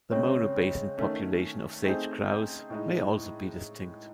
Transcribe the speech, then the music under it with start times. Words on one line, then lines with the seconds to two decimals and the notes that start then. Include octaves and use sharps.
The Mono Basin population of sage grouse may also be distinct.
0.11 C#3 G#3 C4 C#5
0.98 D#3 A3 C#4
1.84 A3 C4 D#4 G#4 C5
2.70 A2 G#3 D#4